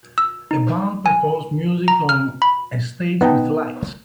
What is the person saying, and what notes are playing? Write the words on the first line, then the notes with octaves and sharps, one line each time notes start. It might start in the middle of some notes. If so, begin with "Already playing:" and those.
A band performs music on a stage with lights.
E6
D#4
G#5
A#5
F6
B5
B3 D#4 D#5 G5 A5